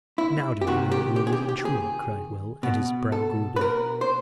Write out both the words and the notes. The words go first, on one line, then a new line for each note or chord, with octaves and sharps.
"Now do I know that you are reading truly," cried Will, and his brow grew black.
E4
G4
C3 D#3 F#4
G4
G4
G#4
G4
G4
G#4
B2
A4
B4
A#4
C5